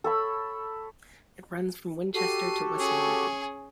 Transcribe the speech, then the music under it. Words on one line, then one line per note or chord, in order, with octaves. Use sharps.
It runs from Winchester to Westmoreland.
A4 C#5 B5
F#4 G4 A4 C7 D#7
C#4 G#4